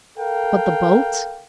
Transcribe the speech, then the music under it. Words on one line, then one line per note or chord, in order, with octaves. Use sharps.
"But the boat?"
A4 A#4 F5 G5